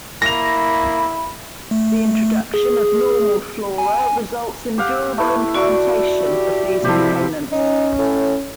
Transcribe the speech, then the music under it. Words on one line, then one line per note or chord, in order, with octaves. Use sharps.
The introduction of normal flora results in durable implantation of these components.
A#3 E4 B5 A#6 F7
A3
G#4
G#5
G4 F5 F#5
A3 E4
F#4 D5 C#6
G4
C3 F3 E4 G4 A4
C#4 D#4
A2